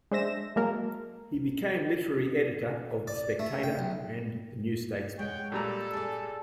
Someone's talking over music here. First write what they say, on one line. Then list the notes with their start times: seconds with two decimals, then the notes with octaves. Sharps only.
He became literary editor of "The Spectator" and the "New Statesman".
0.11 G#3 D4 C5 E5 A#6 E7
0.56 F#3 G#3 A#3 A4 A#4
3.08 D5
3.39 A3
3.64 G5
3.79 B1
5.19 G#3 C#5 F#5 G5
5.52 A#2 G3 A4 A#5
5.93 G#4 D5